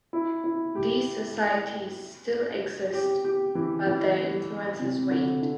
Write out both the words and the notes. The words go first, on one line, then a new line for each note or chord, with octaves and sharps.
These societies still exist, but their influence has waned.
E4
E4
G4
G4
G4
E3
E3
C3
D3
D3